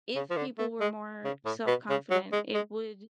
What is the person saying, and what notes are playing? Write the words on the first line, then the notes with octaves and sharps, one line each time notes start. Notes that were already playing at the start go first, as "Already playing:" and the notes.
if people were more self-confident, it would
C#3
F3
D3
A3
G#3
C#3
A2
B2
C#3
F#3
G#3
G#3